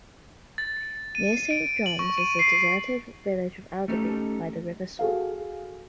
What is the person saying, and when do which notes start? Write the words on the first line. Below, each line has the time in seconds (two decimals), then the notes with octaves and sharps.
Near Saint John's is the deserted village of Alderby by the River Soar.
0.58 A6
1.15 D#7
1.51 D7
1.86 F#7
1.99 C#6
2.18 D#7
2.39 C7
3.88 A3 C#4 D#4 G4 A4
4.99 F#4 G#4 A4 F5